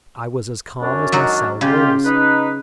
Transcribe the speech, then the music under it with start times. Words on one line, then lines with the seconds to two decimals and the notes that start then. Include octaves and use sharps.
I was as calm as my cell walls.
0.81 F#2 C#4 D4
1.12 F#3 D#4 F#4
1.61 C#3 G#3 F4 G4
2.05 D#4 B4